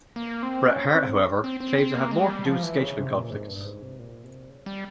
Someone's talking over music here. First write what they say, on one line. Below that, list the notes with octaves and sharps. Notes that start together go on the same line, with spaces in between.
Bret Hart, however, claims it had more to do with scheduling conflicts.
A#3
C4
C#4
C4
C4
C4
C4
A#3
G#3
G3
F3
E3
C#3
C3
A#2
G#2
G2
G#2
C3
A#2
C3
C#3
G3